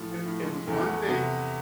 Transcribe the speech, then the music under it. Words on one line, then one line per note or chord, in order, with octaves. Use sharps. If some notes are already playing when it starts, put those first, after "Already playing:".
It it was one thing
Already playing: A2 E3 F3 A3
F3
A2
G#3
E2 A3
B3
A3
C3 B3